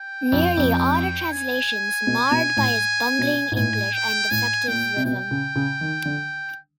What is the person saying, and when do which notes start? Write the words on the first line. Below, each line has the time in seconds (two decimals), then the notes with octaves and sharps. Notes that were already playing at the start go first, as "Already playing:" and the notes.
Nearly all the translations marred by his bungling English and defective rhythm.
Already playing: G5
0.32 F2
0.57 F2
1.32 G#5
2.07 B2
2.31 B2
2.57 A2
3.19 B2
3.52 G#2
3.56 A2 G#5
3.93 G5
4.30 A2 G#5
4.68 A#2 G5
4.96 C3
5.05 B2 G5
5.31 C#3
5.56 C#3
5.81 D#3
6.05 D3